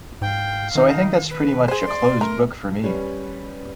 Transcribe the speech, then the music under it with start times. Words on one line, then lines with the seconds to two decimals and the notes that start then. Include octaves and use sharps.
So I think that's pretty much a closed book for me.
0.22 G#2 F5 G5
0.75 D#3 D#4
1.31 B4
1.68 G#4 C5 C6
1.87 D5
2.21 A3 A#4 A#5
2.83 G3 C#4 B4